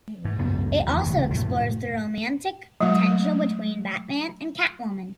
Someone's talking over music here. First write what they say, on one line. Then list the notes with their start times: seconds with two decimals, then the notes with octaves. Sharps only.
It also explores the romantic potential between Batman and Catwoman.
0.25 G#2
0.39 C#2 F#2 B3
0.87 E2 D#3 E3
1.06 F1 A2 C#3 G#3
1.34 F#2 A2 C3 A3
2.80 F#3 G#3 A3